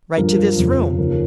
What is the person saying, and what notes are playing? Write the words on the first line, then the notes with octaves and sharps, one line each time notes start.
"Right to this room!"
G2 F3 A#4
F2 C#3 F3
D#2 C#3 F3 A#4